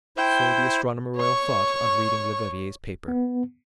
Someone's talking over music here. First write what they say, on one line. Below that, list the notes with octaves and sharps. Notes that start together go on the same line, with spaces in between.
So the Astronomer-Royal thought on reading Leverrier's paper.
E4 C5 G5
C#5 C#6
B3